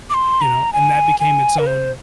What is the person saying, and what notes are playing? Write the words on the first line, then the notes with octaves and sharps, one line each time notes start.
you know, and that became its own
D6
C6
A#5
G#5
G#5
A#4
C5